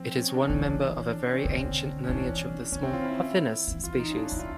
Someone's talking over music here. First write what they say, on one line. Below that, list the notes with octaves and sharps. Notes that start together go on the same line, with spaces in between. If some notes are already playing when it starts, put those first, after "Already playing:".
It is one member of a very ancient lineage of the small "Puffinus" species.
Already playing: F3 C4
C#4
D4
E3 C#4
D4
D4
C#4
C4
D3
C#4
E3 D4
D#3 C#4
C4
F4
E4
E3
F4
D#4
C#4
D4
D#4
D#3 E4
F4